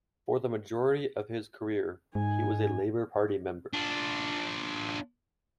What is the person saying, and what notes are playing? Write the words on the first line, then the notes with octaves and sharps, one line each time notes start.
For the majority of his career he was a Labour Party member.
G#2 D#4 G#5
D4 F4